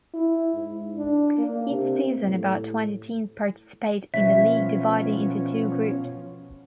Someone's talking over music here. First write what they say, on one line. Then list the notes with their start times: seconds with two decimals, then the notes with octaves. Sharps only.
Each season about twenty teams participate in the league dividing into two groups.
0.14 E4
0.54 G#2
0.96 D4
1.38 A#3
1.69 C3
2.19 A2
4.14 B2 F3 C#4 E5